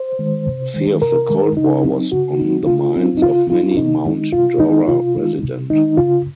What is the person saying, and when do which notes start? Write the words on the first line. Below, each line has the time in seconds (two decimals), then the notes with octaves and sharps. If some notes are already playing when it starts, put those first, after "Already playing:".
Fear of the Cold War was on the minds of many Mount Dora resident.
Already playing: C5
0.19 D#3 G#3
0.47 C3
0.74 D#3 G#3
1.02 C3 A#4
1.29 D#3 G#3
1.57 C#3 D#4
1.85 F#3 C4 D#4
2.12 C#3 F#4
2.39 F#3 C4 D#4
2.66 C#3 F4
2.95 F#3 C4 D#4
3.17 D#4
3.22 C#3 F4
3.50 F#3 C4 D#4 F4
3.77 C3 D#4
4.05 D#3 G#3 D#4
4.32 C3 F4
4.60 D#3 G#3 D#4
4.87 C3 F4
5.15 D#3 G#3 D#4
5.43 C3
5.70 D#3 G#3 D#4
5.98 C#3 F4